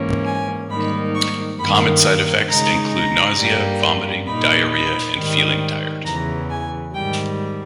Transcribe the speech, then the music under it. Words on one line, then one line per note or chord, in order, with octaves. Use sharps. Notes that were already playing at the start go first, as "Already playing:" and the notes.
Common side effects include nausea, vomiting, diarrhea, and feeling tired.
Already playing: G#2 E3 A#3 C#4
G#5
G#2 D#3 G3 A#3 D#4 B5
C#6
G2 D#3 A#3 B5
C#3 G#3 D#4 A#5
A#5
G2 G3 A#3
A#2 A#3 D#4 B5
B5
G#2 D#3 G3
E2 C#3 E3 A#5
G#5
G#2 D#3 G3 G5